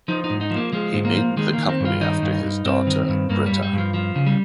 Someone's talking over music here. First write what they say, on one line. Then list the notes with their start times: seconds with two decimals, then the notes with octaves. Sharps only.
He named the company after his daughter Brita.
0.08 F3 D#4
0.24 D#4
0.30 G#2
0.41 D#4
0.51 F3
0.56 A#3
0.73 F3 G#3
0.94 G#2
1.05 A#3
1.16 F3
1.37 D#3 G#3
1.53 D#3 A#3
1.69 C4
1.80 G2 F4
2.01 D#3 D#4
2.22 G2
2.44 G2
2.65 G2 C4
2.87 D#3
3.09 G2
3.29 G2 A#3
3.46 G3
3.51 G2
3.62 G3
3.73 G2 F3
3.94 F3
4.16 C#3
4.26 G3